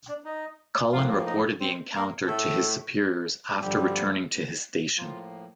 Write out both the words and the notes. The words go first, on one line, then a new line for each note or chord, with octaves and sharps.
Cullen reported the encounter to his superiors after returning to his station.
D4 D5
D#4 D#5
A2 F3 A#3 F4 F5
D#4 D#5
C4 C5
A#3 A#4
A2 A3 A4
G2 D3 F3 G3 G4
A2 F3 A#3 F4